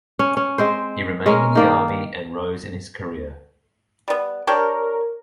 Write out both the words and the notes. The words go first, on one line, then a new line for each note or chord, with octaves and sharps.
He remained in the army and rose in his career.
C#4
C#4
G#3 C4 C5
G#3 C#4 A#4
D#3 A#3 D5
G3 B3
D4 G4 A#4 C#5